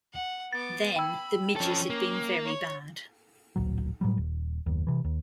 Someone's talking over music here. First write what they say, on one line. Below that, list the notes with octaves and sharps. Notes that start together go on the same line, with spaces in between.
Then the midges had been very bad.
F#5
B3 D6 A6
G5 B5 E6
F3 C#4 A4
A#3
C#5
D1 A#1 F#3
A2 F#3 G3
D#1
F#1 D#2
C3 E3
D#2